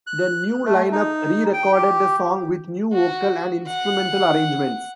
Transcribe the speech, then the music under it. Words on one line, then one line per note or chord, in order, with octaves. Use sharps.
The new line-up re-recorded the song with new vocal and instrumental arrangements.
F#6
A3
D#4
G5
G4
F#4
F#5